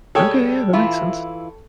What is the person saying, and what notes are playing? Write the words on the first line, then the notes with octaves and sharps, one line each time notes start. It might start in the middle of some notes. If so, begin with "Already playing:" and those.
Okay, yeah that makes sense.
G3 G#4 A4 C#5 G5
E3 E4 F4